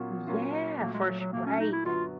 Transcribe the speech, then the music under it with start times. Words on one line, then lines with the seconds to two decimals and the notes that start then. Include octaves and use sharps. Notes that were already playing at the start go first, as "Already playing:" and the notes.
Yeah, for su right.
Already playing: A#2 F#3 A#3 B3 C#4 F4
0.27 A#2 F#3 A#3 C#4 F4
0.80 A#2 F#3 A3 A#3
0.93 G#3
1.07 F#3
1.20 F#3
1.32 A#2 F#3 A3 A#3
1.46 C#4
1.60 D#4
1.72 E4
1.85 F#2 D3 F#3 B3 F4